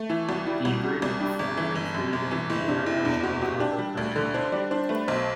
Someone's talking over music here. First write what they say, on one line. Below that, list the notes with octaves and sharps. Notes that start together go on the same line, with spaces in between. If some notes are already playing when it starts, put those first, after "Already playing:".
The agreement formally created the International Copper Cartel.
Already playing: A3
E3 E4
C2 F#4
G3 E4
C2 F#4
C3 F#4
C2
G3 D4
G1
E3
G1
F#2
G1
E3
F#1 E4
C3 D4
F#1 E4
E4
E2 D4
F#1 F#4
C3 F#4
D4 G4
G3
D2
D3 A4
D4 C5
G3 D5
D4 C5
A3 B4
B1 C5